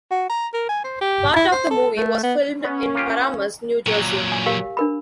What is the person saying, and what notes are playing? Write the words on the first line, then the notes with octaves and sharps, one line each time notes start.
Part of the movie was filmed in Paramus, New Jersey.
F#4
A#5
A#4
G#5
C5
G4
E4
C5
A4
A3
B3
B3 C#4
A#3 F4 G4
A#2 F#3
G#5
G4 A#4 F5
D4 A#4 B5